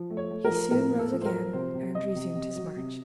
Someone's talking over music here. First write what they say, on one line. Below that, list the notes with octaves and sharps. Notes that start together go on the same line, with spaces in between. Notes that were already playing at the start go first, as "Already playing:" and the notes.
He soon rose again and resumed his march.
Already playing: F3
A3
C#5
A3
A#4
F3
A2 A#4
A2
A4
F3
C5
A#4
F3
C3 C5
C3
C3 D#5
C3
C3
F#3
C3